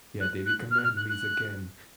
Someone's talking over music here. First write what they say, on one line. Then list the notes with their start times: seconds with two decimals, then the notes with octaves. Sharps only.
Yeah, they become enemies again.
0.20 F#6
0.46 F#6
0.71 F6
0.78 F#6
0.83 F6
0.96 F#6
1.09 F#6